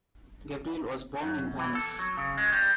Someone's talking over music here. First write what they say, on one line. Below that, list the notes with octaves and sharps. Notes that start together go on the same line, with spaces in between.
Gabrieli was born in Venice.
F#2
E3
A4
F#3
C#3
G#3
G3